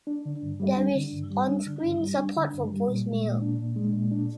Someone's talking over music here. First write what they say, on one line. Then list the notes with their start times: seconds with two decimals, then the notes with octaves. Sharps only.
There is on-screen support for voice mail.
0.07 D4
0.25 D3
0.42 G2
0.60 G3
0.77 D4
0.95 D3
1.13 G2
1.30 G3
1.48 D4
1.66 D3
1.82 G2
2.00 G3
2.17 D4
2.36 D3
2.53 G2
2.71 G3
2.88 A#2
3.06 G#3
3.24 A#2
3.42 D4
3.58 A#2
3.76 G#3
3.93 A#2
4.11 D4